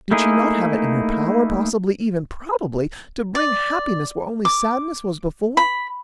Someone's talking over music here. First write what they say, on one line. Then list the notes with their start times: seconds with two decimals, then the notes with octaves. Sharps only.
Did she not have it in her power, possibly--even probably--to bring happiness where only sadness was before?
0.11 A3 A#3 D#4 E4 G#4
3.35 D5
4.45 D6
5.57 B5